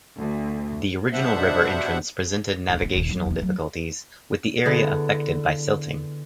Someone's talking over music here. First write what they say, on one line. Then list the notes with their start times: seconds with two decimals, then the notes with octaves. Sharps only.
The original river entrance presented navigational difficulties, with the area affected by silting.
0.19 D2
1.13 B2 G3 D4 C5 E5 F#5
2.70 D2 D3
2.82 D#3 B3
2.96 D#1 D#2
3.09 F#3
3.26 E2 D#3
3.38 F#3 A3
4.65 D3 B3 E4 G#4 A4